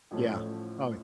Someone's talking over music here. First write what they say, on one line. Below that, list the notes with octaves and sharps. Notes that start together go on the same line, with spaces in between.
Yeah, probably.
A1 A2 F3 A3 C#4